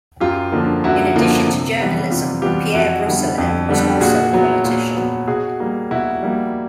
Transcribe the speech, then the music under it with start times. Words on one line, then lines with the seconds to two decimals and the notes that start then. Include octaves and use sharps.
In addition to journalism, Pierre Brossolette was also a politician.
0.20 F#2 F4 G4
0.52 D3 F3 A#3
0.84 F#2 E4 F#4
1.16 D3 F3 A#3
1.47 C3
1.80 E3 G3 B3
2.10 C3 F4
2.42 E3 G3 B3 F4 G4
2.74 F2 E4 F#4
3.06 D3 G3 B3
3.38 F2
3.69 D3 G3 B3
4.01 A#2 F#4 G#4
4.33 F#3 B3
4.64 A#2
4.97 F#3 B3
5.28 B2 F#4 G#4
5.60 G3 A#3
5.91 B2 E4 F#4
6.23 G3 A#3